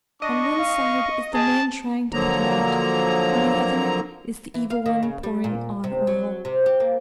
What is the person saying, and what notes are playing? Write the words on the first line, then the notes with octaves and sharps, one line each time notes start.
On one side is the man trying to put it out; on the other, is the evil one pouring on oil.
D4 D#5 C#6
F5
G#4 A5
D3 F3 F#3 A#3 A#5
E3
F5
D#3
C#3
G3
A#2
C3
F#3
C3
G4
A#3